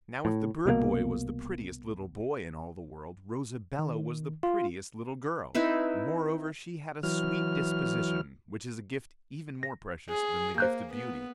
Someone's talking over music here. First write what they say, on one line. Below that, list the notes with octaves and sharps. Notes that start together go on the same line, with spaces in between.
Now, if the bird-boy was the prettiest little boy in all the world, Rosabella was the prettiest little girl. Moreover, she had a sweet disposition, which is a gift even more precious than the gift of beauty.
A2
C2 B2 D#3 A#3
D#3
F4
C4 D#4 E4 B4
E3 F#3 F6
A#6
G#4
A#3 C5 F#6 G6
B3